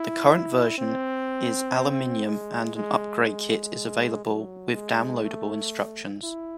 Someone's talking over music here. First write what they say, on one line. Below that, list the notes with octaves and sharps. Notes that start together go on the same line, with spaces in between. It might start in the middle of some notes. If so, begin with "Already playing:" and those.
The current version is aluminum and an upgrade kit is available, with downloadable instructions.
Already playing: E4
C4
G#3
G#3
G#3
F#3
G#3
A3
E4